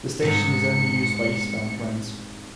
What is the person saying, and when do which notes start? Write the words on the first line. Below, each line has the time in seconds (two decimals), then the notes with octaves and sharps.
The station is used only by eastbound trains.
0.22 G#2 C3 C#7